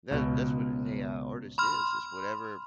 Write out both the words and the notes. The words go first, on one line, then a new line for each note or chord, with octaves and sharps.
that that's what an AI artist is. It's whatever
C#2 B2
B5 C6 F6